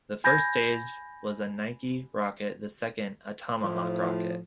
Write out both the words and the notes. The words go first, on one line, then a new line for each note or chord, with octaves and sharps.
The first stage was a Nike rocket, the second a Tomahawk rocket.
G#5 B5 G6 G#6 A#6
A2 F3